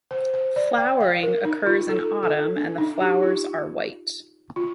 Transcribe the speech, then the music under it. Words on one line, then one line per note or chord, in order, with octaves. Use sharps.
Flowering occurs in autumn and the flowers are white.
C5
C5
D5
G5
F5
A#4
D#4
F4
A4
A4
D4
D#4
G4
F4
F4